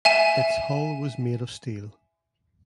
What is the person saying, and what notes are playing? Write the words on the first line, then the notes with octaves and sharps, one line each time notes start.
Its hull was made of steel.
E5 G#5 E7